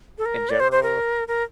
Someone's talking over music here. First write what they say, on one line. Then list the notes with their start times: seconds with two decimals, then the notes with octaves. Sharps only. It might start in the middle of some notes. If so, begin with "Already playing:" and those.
in general."
0.18 A4
0.25 A#4
0.50 D5
0.60 C5
0.72 C5
0.83 A#4
1.28 A#4